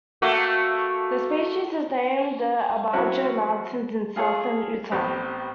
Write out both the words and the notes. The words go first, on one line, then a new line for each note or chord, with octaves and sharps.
The species is named for the Abajo Mountains in southern Utah.
A3 A#3 F#4
F#3 C4 C#4 E4 F#4
F4 G#4 A4 C#5
A1 A3 B3 C4 G4